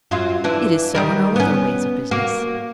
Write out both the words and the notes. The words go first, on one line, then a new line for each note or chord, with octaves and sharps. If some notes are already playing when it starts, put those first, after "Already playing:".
It is so in all other ways of business.
F#2 F#3 F4
E3 D4
D#3 G3 A#4
B3 C#4
A#3 F#4